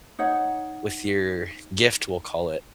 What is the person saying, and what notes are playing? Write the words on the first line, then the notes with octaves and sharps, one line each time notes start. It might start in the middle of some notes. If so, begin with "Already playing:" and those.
with your gift, we'll call it?
D#4 C#5 F#5